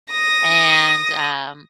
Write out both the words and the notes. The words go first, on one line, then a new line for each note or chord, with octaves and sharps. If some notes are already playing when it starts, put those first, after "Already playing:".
and, um,
D#6 A#6